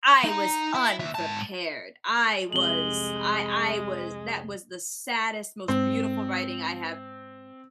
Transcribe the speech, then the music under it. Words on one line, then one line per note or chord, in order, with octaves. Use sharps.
I was unprepared, I was I I was that was the saddest, most beautiful writing I have
D#4 A#5
E4
D#2 E5
G#2 A5
C2 F2 C3 G#3 F#7 G7
G#2 C4